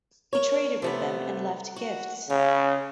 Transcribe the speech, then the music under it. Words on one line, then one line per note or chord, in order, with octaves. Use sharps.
He traded with them and left gifts.
A#4 C#5
C3 A3 B3
F#4
C#3 C#5